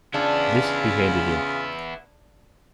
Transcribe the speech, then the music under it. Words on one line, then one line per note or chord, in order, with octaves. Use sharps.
This he handed in.
C#3 B3 D4 E4 F4